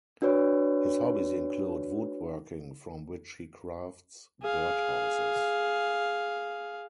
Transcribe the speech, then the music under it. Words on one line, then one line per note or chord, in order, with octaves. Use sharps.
His hobbies include wood working from which he crafts bird houses.
D4 F#4 B4 C#5
G#4 F5